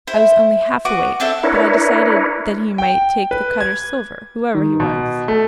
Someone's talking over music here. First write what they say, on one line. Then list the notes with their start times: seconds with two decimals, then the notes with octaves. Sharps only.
I was only half awake, but I decided that he might take the Cutters' silver, whoever he was.
0.07 E4 C5
0.85 B3 F#4 D6
1.20 C4 D4 E4 A4
1.43 D4 E4 A#4 B4 C#5
2.78 G5
3.31 B4
3.60 G#6
4.54 D#3
4.80 B2
5.28 A3